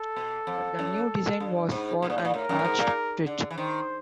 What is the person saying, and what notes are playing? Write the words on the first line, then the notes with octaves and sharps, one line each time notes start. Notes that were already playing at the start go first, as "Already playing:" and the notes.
The new design was for an arched bridge.
Already playing: A4
B2
F2
F#2
G2
G#2
B2
A#2
A2
A#2
A2 A#4
F#2
A2
G#2
A#2
D3
E3
D#3 C5